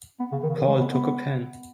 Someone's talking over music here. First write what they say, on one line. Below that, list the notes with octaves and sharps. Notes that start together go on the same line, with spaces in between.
Paul took a pen.
B3
C#3
D#3
C#3
D#3
G#3
B3
B3